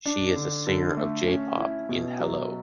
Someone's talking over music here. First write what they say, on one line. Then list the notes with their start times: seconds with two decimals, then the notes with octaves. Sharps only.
She is a singer of J-Pop in Hello!
0.06 D4
0.36 D3
0.67 D3
0.97 A3
1.27 C#4
1.58 E4
1.89 B2
2.19 F#3